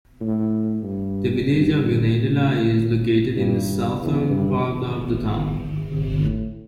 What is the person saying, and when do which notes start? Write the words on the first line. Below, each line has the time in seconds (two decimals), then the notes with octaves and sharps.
The Village of Unadilla is located in the southern part of the town.
0.20 A2
0.83 G2
1.46 G2
2.10 A2
3.36 G2
3.99 E2
4.30 G2
4.62 E2
5.87 C3
6.20 A2